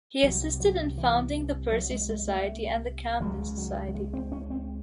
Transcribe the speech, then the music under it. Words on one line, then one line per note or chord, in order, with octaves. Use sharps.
He assisted in founding the Percy Society and the Camden Society.
C2 C3 F#3
F#3
E3
F#3
G#3
G#3
A3
C#2 C#3 F#3
F#3
F#3
G#3
C4
C#4
C4